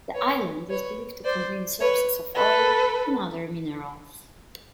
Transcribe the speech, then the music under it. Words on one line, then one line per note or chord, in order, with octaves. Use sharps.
The island is believed to contain sources of oil and other minerals.
B4 C#5
B4 C#5
C5 D5
B4 C#5
A4 B4